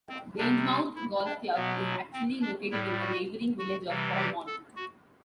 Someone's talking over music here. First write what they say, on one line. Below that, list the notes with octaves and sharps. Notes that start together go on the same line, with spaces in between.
Grangemouth Golf Club is actually located in the neighbouring village of Polmont.
C4
C3 G3 D4
E4
D4
B2 F#3 B3
C4
D4
A2 G3 E4
F#4
F#4
C3 E3 G3
G4
A4
F#4